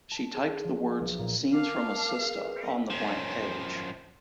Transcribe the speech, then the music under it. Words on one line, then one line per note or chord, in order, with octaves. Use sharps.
She typed the words, "Scenes from a Sistah" on the blank page.
A5
G#4
F3
B1
A#2
A#4 F5 A5 D6
G#4 B4
F#2 F3